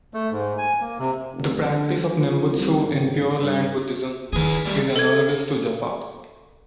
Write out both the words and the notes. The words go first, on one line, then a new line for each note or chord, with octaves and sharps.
The practice of nembutsu in Pure Land Buddhism is analogous to japa.
A3
G#2
G#5
A#3
C3
F1
D3
F3
C2
G#1
G2
D#3 G#4 B4
G3 A3
A4 G#6